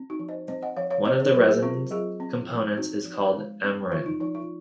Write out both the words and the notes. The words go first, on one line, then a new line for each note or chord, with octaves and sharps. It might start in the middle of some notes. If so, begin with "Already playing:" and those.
One of the resin components is called amyrin.
Already playing: C4
D#4 F#4
F3
C5 D#5
C4 C5 D#5
D#5 F#5
F3 C#5 F5
C#5 F5
C4 C5 D#5
G#4 C5
F#3 F#4 A#4
G#4 C5
C4 F4
F#3 F4 G#4
C4
F3
C4 D#4 F#4
F3
G#3
C4
F3 F4
D#4
F3 D#4
F4